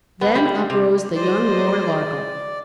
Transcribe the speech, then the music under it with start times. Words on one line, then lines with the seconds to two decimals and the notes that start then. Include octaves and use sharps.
Then uprose the young Lord of Arkell.
0.21 B3
0.35 G3
0.70 C3
1.15 G#3 C5 D5 D#5